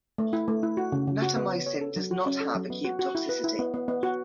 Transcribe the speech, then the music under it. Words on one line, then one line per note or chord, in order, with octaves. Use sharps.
Natamycin does not have acute toxicity.
A3
E4
A3
E4
F#4
C#3
C#3
F#4
B3
C#5
C#5
A4
F#3
F#4
C#4
A4
F#3
B3
F#4
F#4
E4
B4
E4
B3
B3
B3
F#4